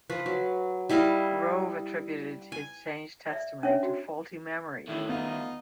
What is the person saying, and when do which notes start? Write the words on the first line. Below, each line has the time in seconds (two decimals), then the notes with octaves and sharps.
Rove attributed his changed testimony to faulty memory.
0.10 F3 B4
0.26 F#3
0.89 G3 E4 D#5 F5
2.52 G#5
3.30 D5 E5
3.63 C#4 D4 C#5 E5
3.83 F#4
4.87 A2 D#3 A3
5.09 B3 D#4 F4